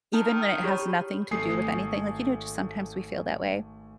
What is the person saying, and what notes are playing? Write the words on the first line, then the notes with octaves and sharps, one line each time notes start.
even when it has nothing to do with anything, like, you know, just sometimes we feel that way?
D#3 A5
G4 C#5 B5
G#1 A3 G#5 D#6 C7